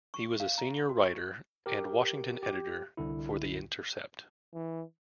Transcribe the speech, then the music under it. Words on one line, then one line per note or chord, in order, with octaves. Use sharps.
He was a senior writer and Washington editor for "The Intercept".
C#6
F5
A#5
F#4
C#6
G4 A#4
G4
C2 D3 E4
E3